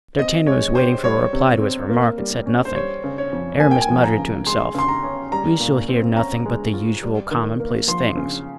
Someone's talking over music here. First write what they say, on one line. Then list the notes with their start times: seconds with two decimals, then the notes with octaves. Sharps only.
D'Artagnan was waiting for a reply to his remark and said nothing. Aramis muttered to himself, "We shall hear nothing but the usual commonplace things."
0.19 C4 D#5
0.47 G#3 C#5
0.75 G4 C5
1.04 G3 C#5
1.33 C3
1.61 C4
1.90 A#3
2.18 G3
2.46 C#4
2.65 C5
2.75 G3 C#5
3.04 C#3
3.18 C#5
3.33 F2
3.60 A#3 G#5
3.71 G5
3.81 G#5
3.89 F3
4.04 A#5
4.18 C#3
4.47 G#3 C6
4.75 C#3 C6
4.88 A#5
5.03 C#4
5.32 G3 A#5
5.59 A#2
5.89 C4
6.17 C#4 A#5
6.46 G#3
6.74 F4
7.03 G3
7.31 D#3
7.60 A#3
7.88 F3 C6
8.17 C#3